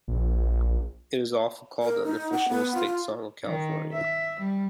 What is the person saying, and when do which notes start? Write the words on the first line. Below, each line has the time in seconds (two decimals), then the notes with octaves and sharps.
It is often called the unofficial state song of California.
0.08 A#1
1.82 A#4
2.04 D#4
2.32 F#5
2.50 B3
2.75 F4
2.87 F4
3.45 D#3
3.93 E5
4.39 G3